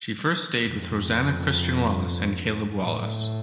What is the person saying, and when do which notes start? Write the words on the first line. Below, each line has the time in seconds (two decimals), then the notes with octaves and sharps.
She first stayed with Rosanna Christian Wallace and Caleb Wallace.
0.63 F2
2.80 A2